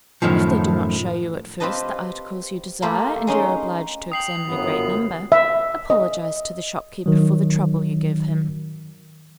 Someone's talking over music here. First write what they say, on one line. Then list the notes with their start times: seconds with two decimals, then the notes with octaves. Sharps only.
If they do not show you at first the articles you desire, and you are obliged to examine a great number, apologize to the shopkeeper for the trouble you give him.
0.22 F#2 A2 D#3 F3
1.60 C4 F4 G4 B4 D#5 A5
2.82 A3 A#3 E4 F4 G4 D5
3.27 G#3 C#4 D#4 C6
4.12 G5 D#6 C7 F#7
4.49 G1 F#2 B3
5.32 E5
5.90 D#5
7.06 D#3 F#3